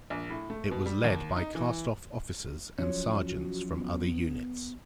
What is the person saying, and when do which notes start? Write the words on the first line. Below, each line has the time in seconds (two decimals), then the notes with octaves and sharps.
It was led by cast-off officers and sergeants from other units.
0.10 A#1
0.30 A2
0.50 A3
0.71 B2
0.86 G3
1.04 D#2
1.36 D#4
1.55 E3
2.79 F3 F#3 C#4 C#5
3.26 F#4
3.74 B3